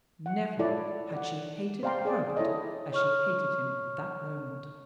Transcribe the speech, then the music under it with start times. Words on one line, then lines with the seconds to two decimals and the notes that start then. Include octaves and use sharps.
Never had she hated Herbert as she hated him at that moment.
0.26 F#5
0.59 E4 F4 A4 C#5 D5
1.12 D5 F#5
1.83 C5 D5 F5 G5 A#5 C6
2.05 G#4 D5
2.37 E4 A4 C#5 D#5
2.92 C#5 C#6 F6